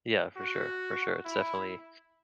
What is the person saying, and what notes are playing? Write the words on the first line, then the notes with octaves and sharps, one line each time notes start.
Yeah, for sure, for sure. It's definitely
F#4
E4